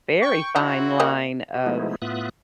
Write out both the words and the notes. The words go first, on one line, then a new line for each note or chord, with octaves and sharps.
very fine line of
G5 C#6
C4 D#4 E4 F#4
A#3 G4 D#5
G4
F3 G#3 A3 B3 D#4 E4
A2 B3 F4 E5 D#6 F#6